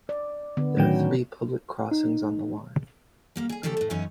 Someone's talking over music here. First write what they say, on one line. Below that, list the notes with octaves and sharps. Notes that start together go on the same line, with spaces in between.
There are three public crossings on the line.
D5
D3 B3
A2 D#3 F#3 C#4 G5
D#4
G3 A#3 F5
G#4 G#5
C#3 F3 A3 G4 A4
A2 A3
F#2 E3 B3 C#4 D#4 C#5